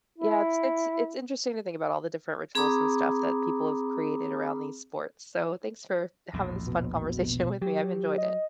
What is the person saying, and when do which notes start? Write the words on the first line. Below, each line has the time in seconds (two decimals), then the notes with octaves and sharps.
yeah, it's it's it's interesting to think about all the different rituals, and stuff, that people have created around these sports, so thanks for having this fun conversation with me, I've enjoyed it.
0.18 E4
2.55 C4 G#4 A#5 B5 D6 D#6
6.34 A#1 E2 A2
6.67 B2
7.62 F#3 G4
8.18 D#5